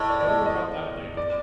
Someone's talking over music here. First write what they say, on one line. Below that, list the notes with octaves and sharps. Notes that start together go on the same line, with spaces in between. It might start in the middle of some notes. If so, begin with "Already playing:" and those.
"Tell you about that later."
Already playing: A2 D#5
D5
D5
D#5
D#5
D5